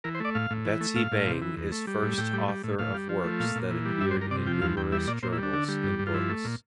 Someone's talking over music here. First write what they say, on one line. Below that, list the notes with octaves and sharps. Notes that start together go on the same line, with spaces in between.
Betsy Bang is first author of works that appeared in numerous journals and books.
E3 A#4
C5
A3 D5
A2 F5
A2
E3
A3
A2 F5
A2
C3
E3
E2
A3
G3
A2
A2 G5
G3
G3
A2
A2 F5
G3
F3
A3
A#2 F5
A#2
E3
G3
G2 E5
C5
G2
A#4
C3 D5
F3 G5
E2 F5
E2 G5
G3 E5
A#2 D5
A#2 C5
E4
G3 D4
D3
G3
G2
G2
F4
F3 E4
A3
A#2